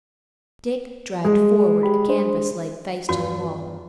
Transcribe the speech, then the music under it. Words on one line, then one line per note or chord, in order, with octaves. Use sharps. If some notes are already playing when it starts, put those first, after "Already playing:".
Dick dragged forward a canvas laid face to the wall.
G3 G#3
G4 B5
D4 C5
E2 G2 F4 F#4